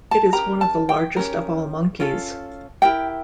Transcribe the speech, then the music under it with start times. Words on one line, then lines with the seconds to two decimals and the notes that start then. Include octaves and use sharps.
It is one of the largest of all monkeys.
0.11 A5
0.33 C#4 G4 A#4 A#5
0.61 A5
0.89 G5
1.16 C#4 G4 A#4
2.00 C#4 F4 A4
2.82 E4 G4 A#4 G5